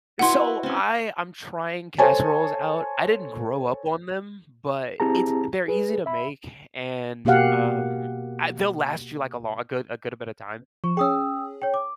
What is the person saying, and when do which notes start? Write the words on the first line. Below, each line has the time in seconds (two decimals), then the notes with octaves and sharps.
So, I, I'm trying casseroles out. I didn't grow up on them, but it's they're easy to make, and um I they'll last you like a lon a good, a good bit of time,
0.19 E4 F#4 B4 F#5 C6
0.63 C4 C#4
1.98 A4 C5 C#5 G#5 A5
5.00 C4 E4 G4 G#4 A5 A#5
5.68 G#4 B4
6.06 E5 B5
7.25 B2 A#3 F#4 G4 F5 F#5
10.84 F3 C#6
10.97 C#4 G#4 G5 D#6 E6
11.62 C#5 G5
11.74 D6